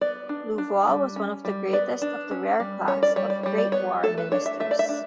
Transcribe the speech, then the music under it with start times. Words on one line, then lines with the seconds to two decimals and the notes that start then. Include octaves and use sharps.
Louvois was one of the greatest of the rare class of great war ministers.
0.01 B3 D5
0.29 D4
0.58 D4
0.87 G3
1.16 C#4
1.45 G3
1.73 B3 D5
2.02 D4
2.31 C#4
2.60 G3
2.88 C#4 C#5
3.03 D5
3.16 G3 C#5
3.30 D5
3.43 G3 C#5
3.58 D5
3.72 B3 C#5
4.03 A3 A4
4.18 B4
4.32 D4 C#5
4.46 E5
4.60 A3 E5
4.71 D5
4.79 E5
4.89 D4